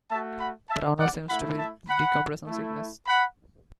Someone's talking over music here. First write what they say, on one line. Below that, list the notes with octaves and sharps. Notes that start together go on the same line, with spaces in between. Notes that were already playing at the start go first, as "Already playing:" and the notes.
Taravana seems to be decompression sickness.
A3 F#4 E5 A5
F#5 B5
E5 A5
D5 F#5
A3 E4 F#5 B5
E5 A5
F#5 B5
A3 E4
F#5 B5